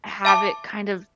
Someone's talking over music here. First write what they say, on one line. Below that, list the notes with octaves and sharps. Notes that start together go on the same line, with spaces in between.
Have it, kind of
E5 A5 D6